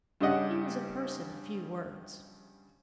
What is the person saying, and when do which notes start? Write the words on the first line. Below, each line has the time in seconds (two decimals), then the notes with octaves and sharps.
He was a person of few words.
0.21 G2 C#3 G4 D#5 F#5